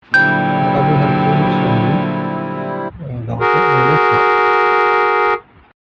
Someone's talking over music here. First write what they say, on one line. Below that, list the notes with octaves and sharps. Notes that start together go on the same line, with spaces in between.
The couple had two children, a daughter and a son.
A#2 D3 F#3 G3 C4 E4 G5 G6
F#4 G#4 A#4